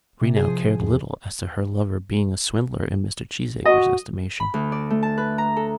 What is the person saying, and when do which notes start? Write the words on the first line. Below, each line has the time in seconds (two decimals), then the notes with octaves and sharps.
Mrs. Greenow cared little as to her lover being a swindler in Mr. Cheesacre's estimation.
0.21 C3
0.37 G#4
0.48 F3
0.80 E2
3.66 F#4 D#5
4.40 B5
4.54 D2
4.72 D5
4.90 A3
5.03 A5
5.18 B4
5.38 A#5
5.57 A4